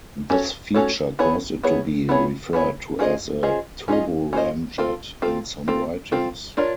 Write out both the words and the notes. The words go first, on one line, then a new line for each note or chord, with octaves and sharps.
This feature caused it to be referred to as a turboramjet in some writings.
C#4 F#4 A4 C#5
C#4 F#4 A4 C#5
B3 E4 G#4 C#5
B3 E4 G#4 C#5
B3 E4 G#4 C#5
B3 E4 G#4 C#5
C#4 F4 G#4 C5 D#5
C#4 F4 G#4 C5 D#5
C#4 F4 G#4 C5 D#5
C#4 F4 G#4 C5 D#5
C4 F4 A4
C4 F4 A4
C4 F4 A4
C4 F4 A4
D4 F4 A#4 C#5